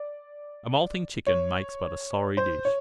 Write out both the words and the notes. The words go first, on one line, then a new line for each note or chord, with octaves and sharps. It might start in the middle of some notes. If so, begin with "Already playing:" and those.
A moulting chicken makes but a sorry dish.
Already playing: D5
C#5
C5
C#5